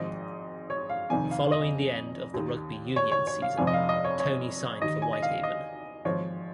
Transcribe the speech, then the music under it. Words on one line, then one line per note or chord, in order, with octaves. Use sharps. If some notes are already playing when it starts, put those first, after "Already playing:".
Following the end of the Rugby union season Tony signed for Whitehaven.
Already playing: G#1 G#2 F3 D#5
C#5
F5
F1 F2 D#3 G#5
F5
D#5
D#2 D#3
C#5
C#5
C#5
F5
F1 F2 F3 G#5
D#5
F5
D#5
C#5
C#5
D#2 D#3 D#5
G#5
D#5
F5
D#5
G#1 G#2 F3 C#5